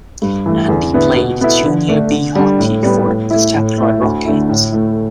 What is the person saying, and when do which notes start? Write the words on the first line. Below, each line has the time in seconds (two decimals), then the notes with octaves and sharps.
Andy played Junior B hockey for the Strathroy Rockets.
0.22 G2
0.46 E3 A3
0.69 E2
0.93 D3 B3 E4
1.16 B2
1.41 B3 E4
1.64 D3
1.88 A3 D4
2.12 D3
2.35 G3 D4
2.59 A2
2.83 G3 B3
3.07 A2
3.31 A3 E4
3.54 A2
3.78 A3 E4
4.01 D2
4.25 D3 A3 E4
4.49 A2
4.72 A3 E4